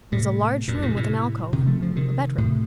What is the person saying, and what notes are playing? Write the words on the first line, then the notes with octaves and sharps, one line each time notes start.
It was a large room with an alcove--a bedroom.
A2 C3
F#2 A#2
A2 C3
A2 C3
C3 D#3
F3 A3
C#3 F3
C3 D#3
A2 C3